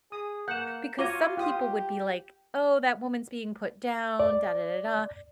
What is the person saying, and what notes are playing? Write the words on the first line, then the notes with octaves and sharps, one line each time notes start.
Because some people would be like, "Oh, that woman's being put down, da, da, da, da."
G#4 D#6
A#3 F#5 G6 E7
F4 F#4 C#5 A#5 D6 D#7
F4 G4 D#6
D5